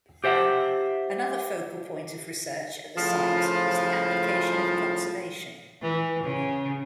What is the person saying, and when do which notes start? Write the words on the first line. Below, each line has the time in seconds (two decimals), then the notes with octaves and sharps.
Another focal point of research at the site is the application of conservation.
0.24 G4 C5 E5 F#5
2.95 A2 C#3 F3
5.82 E3
6.23 C#3